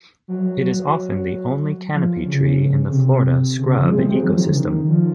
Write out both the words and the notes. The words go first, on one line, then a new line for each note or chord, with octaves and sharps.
It is often the only canopy tree in the Florida scrub ecosystem.
F#3
F#3
F3
C#3
C#3
C3
C#3
C3
C#3
F3
G#3
C4
G#3
F#3
D#3
F3
D#3
C#3
D#3
F3